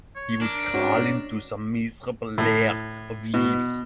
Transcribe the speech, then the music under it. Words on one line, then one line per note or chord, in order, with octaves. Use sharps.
He would crawl into some miserable lair of leaves.
C#5
D4 A#4
G#2 C#4 F#4
A2
B2